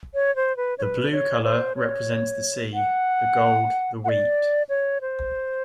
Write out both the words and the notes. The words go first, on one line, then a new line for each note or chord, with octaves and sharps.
The blue colour represents the sea, the gold the wheat.
C#5
C5
B4
C#5
B4
C#5
C5
C#5
F#5
F#5
D5
C#5
C5